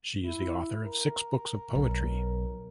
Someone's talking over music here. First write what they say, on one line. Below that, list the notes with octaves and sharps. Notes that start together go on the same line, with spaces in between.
She is the author of six books of poetry.
E4
A#4
B1